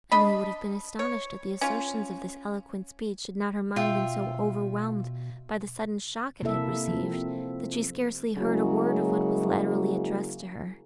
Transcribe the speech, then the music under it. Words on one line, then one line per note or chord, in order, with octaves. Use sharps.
Emily would have been astonished at the assertions of this eloquent speech, had not her mind been so overwhelmed by the sudden shock it had received, that she scarcely heard a word of what was latterly addressed to her.
D4 D#5 B5
C#5
C#4 F4
B2 F4 E5 G5
C3 A#3 E4 A4 E5
F3 C4
C#3 F#3 G#3 A#3 E4 F#4